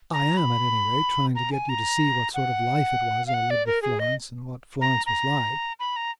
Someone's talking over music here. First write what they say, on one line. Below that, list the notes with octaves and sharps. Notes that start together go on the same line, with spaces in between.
I am, at any rate, trying to get you to see what sort of life it was I led with Florence and what Florence was like.
A#5
B5
A#5
G#5
A#5
F#5
F5
F#5
D5
A#4
G#4
D#5
A#5
A#5
B5
A#5